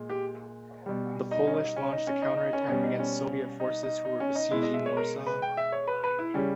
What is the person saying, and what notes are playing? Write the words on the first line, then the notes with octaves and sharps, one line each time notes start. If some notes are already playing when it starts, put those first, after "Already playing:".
The Polish launched a counterattack against Soviet forces who were besieging Warsaw.
Already playing: A#2 G#3
G4
B2 G3
D#4
C#4
D#4
C#4
D#4
C#4
D#4
D#4
C#4
B2 G3 C#4
D#4
C#4
D#4
D#4
D#4
C#4
D#4
B2 G#3 E4
D#5
E5
C#5
A#4
B4
G5
E5
C#5
B4
B4
E4
C#3 G3 C#4